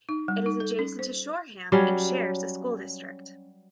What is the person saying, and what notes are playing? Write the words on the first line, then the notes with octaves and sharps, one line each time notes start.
It is adjacent to Shoreham and shares a school district.
D#4
G3
D#4
A4
C#4
C5
F#3 G3 C#4